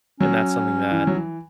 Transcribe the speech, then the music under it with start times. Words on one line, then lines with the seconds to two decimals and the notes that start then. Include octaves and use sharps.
And that's something that
0.20 F#3 C#4
0.91 E3
1.07 F#3
1.15 E3